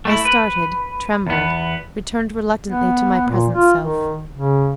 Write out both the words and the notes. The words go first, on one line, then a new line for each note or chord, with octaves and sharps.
I started, trembled, returned reluctantly to my present self.
A3 E4
B4
E2 B3
B3
A#2
F4
D#3
C#3